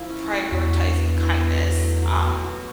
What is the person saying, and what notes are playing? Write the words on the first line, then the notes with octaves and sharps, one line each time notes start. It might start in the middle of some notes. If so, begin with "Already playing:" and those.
prioritizing kindness, um,
Already playing: F3 A#3 E4
C#4
A3
E2 F#4
D4
B3
E4
B3
F#3
A3
F#3
B2
F#4